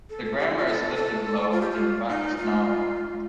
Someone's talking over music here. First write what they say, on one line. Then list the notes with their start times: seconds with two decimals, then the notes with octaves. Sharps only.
The grammar is listed below in Backus-Naur form.
0.10 A4
0.24 A4
0.39 G4
0.48 D#4
0.57 F4
0.67 A4
0.95 A4
1.52 F4
1.61 G4
1.71 F4
2.09 D#4
2.37 F4